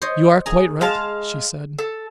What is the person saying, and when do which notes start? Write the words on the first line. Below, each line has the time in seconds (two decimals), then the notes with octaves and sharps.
'You are quite right,' she said.
0.02 C5 C#5 D#5
0.46 G#4 G#5 A#5
0.81 G#3 F5 A5
1.78 A4